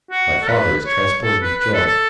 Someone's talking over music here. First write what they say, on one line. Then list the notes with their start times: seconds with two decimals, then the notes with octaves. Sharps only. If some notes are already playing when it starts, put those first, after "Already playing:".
My father is transported with joy.
0.11 F#4
0.42 A4
0.49 B4
0.86 C#5
1.23 A4
1.42 B4
1.60 B4
1.74 A4
1.86 A4